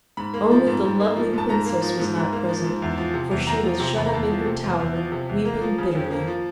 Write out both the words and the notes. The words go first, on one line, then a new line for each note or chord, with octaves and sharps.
Only the lovely Princess was not present, for she was shut up in her tower weeping bitterly.
G#2 B5
A#3
F3
G#2
G#2
A#3
F3
G#2 A5
G#2 A#5
A#3
F3
G#2
G#2
A#3
F3
G#2
E2
F3
C3
E2
E2 A#5
F3
C3
E2 B5
A#5
E2 A5
F3
C3
E2
E2
F3
C3
E2
A#3
F3
C#3
F2
A#3
F3